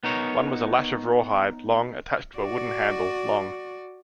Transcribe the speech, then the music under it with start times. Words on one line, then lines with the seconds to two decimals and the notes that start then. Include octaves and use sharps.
One was a lash of rawhide, long, attached to a wooden handle, long.
0.03 B3 D#4 A#4 C#5
2.37 F#4 D5